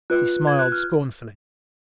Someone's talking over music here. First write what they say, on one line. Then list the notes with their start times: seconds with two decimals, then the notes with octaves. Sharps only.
She smiled scornfully.
0.10 F4 B4 F#6
0.47 G#6
0.59 F#6
0.72 F6